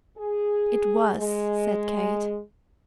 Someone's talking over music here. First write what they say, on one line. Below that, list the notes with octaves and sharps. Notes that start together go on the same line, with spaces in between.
"It was," said Kate.
G#4
G#3